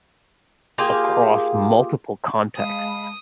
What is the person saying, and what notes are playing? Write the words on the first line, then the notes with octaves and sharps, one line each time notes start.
across multiple contexts.
A#3 F4 G4 G#4
G#3 F5 A5 B5 D#6